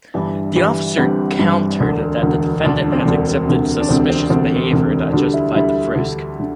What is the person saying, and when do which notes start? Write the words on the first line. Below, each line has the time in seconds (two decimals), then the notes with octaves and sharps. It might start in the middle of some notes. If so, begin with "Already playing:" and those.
The officer countered that the defendant had exhibited suspicous behavior that justified the frisk.
0.14 G1 G2 E3 G3 D4
0.55 G1 G2 E3 G3
0.97 G1 G2 E3 G3 C4
1.39 G1 G2 E3 G3
1.80 E1 D2 D3 D4
2.22 E1 D2 D3
2.64 E1 D2 D3 D4
2.84 D4
2.92 C4
3.00 D4
3.05 E1 D2 D3
3.47 E1 D2 C3
3.80 D4
3.89 E1 D2 C3 C4
4.10 C4
4.29 E1 D2 C3 C4
4.71 E1 D2 C3
5.12 D2 D3 G3 D4
5.34 E4
5.55 D2 D3 G3 E4
5.95 D2 D3 G3
6.40 D3